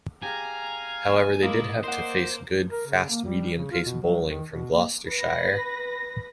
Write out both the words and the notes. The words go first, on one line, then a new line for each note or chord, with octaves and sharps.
However, they did have to face good, fast-medium-pace bowling from Gloucestershire.
G4 G#4 F5 G#5 A#5
G#3 A#3 D#4 E4 D#5 F5
A#3 C5 D5 F#5
A#4
C#3
A#3
G3
C#3
F4
B2
F#3
D#3
B2
A#3
B4 A#6